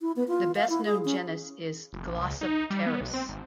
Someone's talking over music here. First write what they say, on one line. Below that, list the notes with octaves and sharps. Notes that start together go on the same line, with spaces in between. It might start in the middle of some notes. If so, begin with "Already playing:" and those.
The best known genus is "Glossopteris".
E4
B3
F4
F5
E4
G#4
C#4
F1
A#1
C#2
D#4
G3
B3
B1
C4
G#1